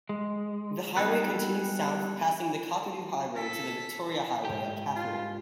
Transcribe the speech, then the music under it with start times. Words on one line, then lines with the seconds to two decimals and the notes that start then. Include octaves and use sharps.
The highway continues south passing the Kakadu Highway to the Victoria Highway at Katherine.
0.09 G#3
0.97 G3 B3 D#4 G#4 A4 B4
3.36 A4 B6
4.45 G#2 G4
4.96 F4